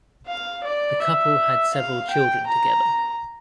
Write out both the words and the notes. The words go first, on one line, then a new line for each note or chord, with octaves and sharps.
The couple had several children together.
F5
D5
E5
F5
G5
A#5